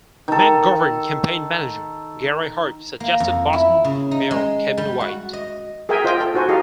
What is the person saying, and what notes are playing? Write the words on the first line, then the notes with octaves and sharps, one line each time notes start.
McGovern campaign manager Gary Hart suggested Boston Mayor Kevin White.
D#3 A4
A#3
F2
E4
C#3
D#4
G#3
G3
F#4
D#5
G#4 A#4 E5 G5 G#5
F4 C5 D#5 G5
A4
D#4 F#4 C5 G#5
D#4 G4 A4 F5